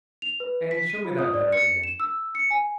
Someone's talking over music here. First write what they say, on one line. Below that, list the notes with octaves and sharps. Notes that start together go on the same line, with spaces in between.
Annie, show me that letter again.'
F7
B4
B6
D#7
F4
D#6
D5
C#7
E7
E6
C#7
G#5